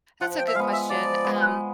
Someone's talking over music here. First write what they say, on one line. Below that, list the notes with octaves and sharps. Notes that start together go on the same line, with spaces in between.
That's a good question, um
F3 F#5
G5
E5
G#3 B3 F5
E5
F3 D5
G#3 B3